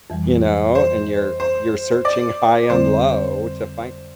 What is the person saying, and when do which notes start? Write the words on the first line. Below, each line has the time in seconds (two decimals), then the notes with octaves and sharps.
You know? And you're you're searching high and low to find
0.10 F2 E3 G3
0.75 C5
1.40 C5
2.05 D5
2.70 F2 D3 G3 C4 C5